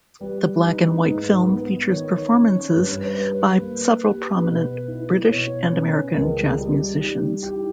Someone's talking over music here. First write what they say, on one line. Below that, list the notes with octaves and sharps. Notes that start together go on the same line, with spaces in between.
The black-and-white film features performances by several prominent British and American jazz musicians.
G3 B4
D#4
G#2
B3
D#3 C#5
C#4
G2 B4
C#5
B4
G3
B4
A#3
G4
B2
E4
B2 C#5
C#4 B4
C#2 A#4
G#4
G3
G3 D#4
D#4
E4 G4